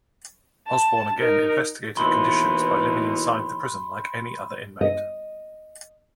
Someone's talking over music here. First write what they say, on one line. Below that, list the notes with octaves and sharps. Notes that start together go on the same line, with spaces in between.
Osborne again investigated conditions by living inside the prison like any other inmate.
A5
D#4 A#4
D#2 B2 E3 B5 C6 G7
D#5